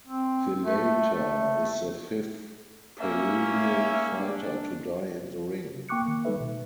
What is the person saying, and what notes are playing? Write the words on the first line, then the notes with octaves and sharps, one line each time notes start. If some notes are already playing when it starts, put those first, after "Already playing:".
Villalta is the fifth Peruvian fighter to die in the ring.
C4
A3
A3
A#3 C#4 E5
D4
A#3 G5 C#6 D6 F#6 C#7
D#3 A#3
G3 G#3 D#4 A4 B4 E5
B2